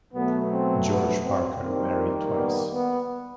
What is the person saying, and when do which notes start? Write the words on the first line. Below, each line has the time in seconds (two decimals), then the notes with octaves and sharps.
George Parker married twice.
0.14 B2 F#3 A3 B3
0.51 C4
0.89 B3
1.25 C4
1.62 D#3 G3 A#3 C4
2.37 B3
2.74 B3